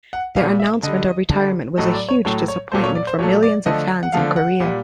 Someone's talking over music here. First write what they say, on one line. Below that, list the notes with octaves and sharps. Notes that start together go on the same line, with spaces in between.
Their announcement of retirement was a huge disappointment for millions of fans in Korea.
F#5
A#2 G3 F5
E5
D3 G3 D#5
D3 G3
A2 F#3 A3 D#5
D5
C#5
A2 F#3 A3 C#5
C#5
A#2 F#3 A3 C5
C#5
D5
C5
A#2 F#3 A3 C#5
D5
D3 F3 A3 D#5
F#5
D3 F3 A3 F5
F#5
A#2 G3